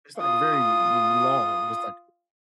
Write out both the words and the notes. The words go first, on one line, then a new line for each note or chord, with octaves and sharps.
it's like very l long, it's like
F4 D#6